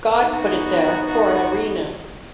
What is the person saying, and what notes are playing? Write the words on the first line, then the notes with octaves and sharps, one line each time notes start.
God put it there for an arena.
B3 D#4 F#4